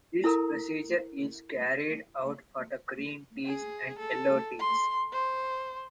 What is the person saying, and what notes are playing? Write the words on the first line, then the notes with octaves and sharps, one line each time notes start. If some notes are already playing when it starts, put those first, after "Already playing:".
This procedure is carried out for green teas and yellow teas.
E4 A4 A#4 A#5
G#4
A4
C6
C5